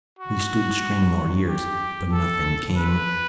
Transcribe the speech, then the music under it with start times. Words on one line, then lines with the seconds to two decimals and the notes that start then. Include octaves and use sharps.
We stood straining our ears, but nothing came.
0.19 F#4
1.48 G4
2.12 A4
2.76 B4